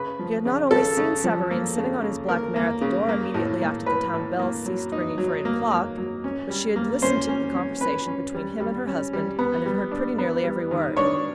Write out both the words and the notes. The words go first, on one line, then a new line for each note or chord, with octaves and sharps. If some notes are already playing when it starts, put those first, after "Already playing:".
She had not only seen Savareen sitting on his black mare at the door, immediately after the town bell ceased ringing for eight o'clock; but she had listened to the conversation between him and her husband, and had heard pretty nearly every word.
Already playing: C#3 B4
F3
C#3
C#3 A4
C#3
F3
A#3
C#3
C#3
A#3 A#4
A#3
C#3
A#3
A2
A#3
A2 B4
A2
A#3
F#3
D#4
F#3
A#3
A#3
F#3
C#4
G3
A#3
C#4 C5
C#4
C#4
C#4 B4
C#4
G3
G3
C#4
G3
B3
G3
D4
B3
G3
D#3
D4 C#5